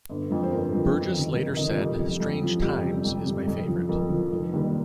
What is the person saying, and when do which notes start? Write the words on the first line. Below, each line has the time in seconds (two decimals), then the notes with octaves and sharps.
Burgess later said, "Strange Times" is my favourite.
0.10 G1
0.31 F2 F3
0.43 C5
0.51 G1 A#4
0.72 F2 F3
0.94 F2
1.14 C3 D#3
1.36 F2 A#4
1.46 A#4
1.56 C3 D#3 D#5
1.67 F4
1.78 F2 G4
1.99 F3
2.20 F2
2.41 F3
2.62 F2 G4
2.83 C3 G3
3.05 F2
3.26 C3 G3
3.47 F2
3.68 F3
3.89 F2 A#4
4.10 F3
4.31 F1
4.53 D#2 D#3 G3